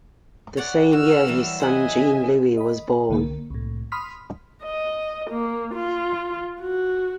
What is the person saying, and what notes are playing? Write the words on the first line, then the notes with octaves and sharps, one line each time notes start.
This same year his son Jean-Louis was born.
C#5 D5 F#5
F#4 E6 F6
E3 F#3 G3
C5 D#5 E5 F#5 G#5 B5
D#5 B5
C2 D3 A#3
C2 A2
B5 C6 D#6 F6 B6
D#5
A#3
F4
F#4